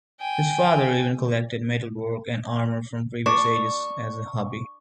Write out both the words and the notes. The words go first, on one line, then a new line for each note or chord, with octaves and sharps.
His father even collected metalwork and armour from previous ages as a hobby.
G5 G#5
D4 C#6